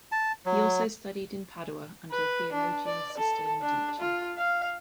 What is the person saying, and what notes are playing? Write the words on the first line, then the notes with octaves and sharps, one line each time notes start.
He also studied in Padua under the theologian Sisto Medici.
A5
F#3
B4
D4
D5
A4
D4
F4
F5